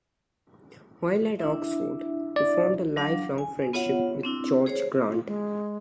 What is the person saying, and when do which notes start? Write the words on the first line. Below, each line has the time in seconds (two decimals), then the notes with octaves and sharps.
While at Oxford, he formed a lifelong friendship with George Grant.
1.39 D4 E4 E5
2.36 D5
2.96 F#3 D4 F5
3.38 G#5
3.73 B3 F4 C#5 E5 F#5
4.23 C4 D4 E4
4.66 G#4 C5 C#5
5.11 F4
5.27 G#3